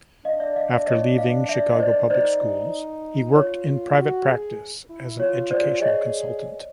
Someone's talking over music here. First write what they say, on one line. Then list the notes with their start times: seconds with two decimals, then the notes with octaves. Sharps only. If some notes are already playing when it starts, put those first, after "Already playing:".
After leaving Chicago Public Schools he worked in private practice as an educational consultant.
0.25 D4 D#5 F5
0.40 D5 E5
0.56 D#5 F5
0.71 D5 E5
0.87 C#5 D#5
1.18 D#5 F5
1.49 D5 E5
1.71 D#5
1.80 C5 D5
2.10 D#4 C5 D5
3.35 F4 C#5
3.96 F#4
4.27 G#4
4.90 E4
5.20 F4 C#5
5.51 C5 D5
5.82 G#4 C#5 D#5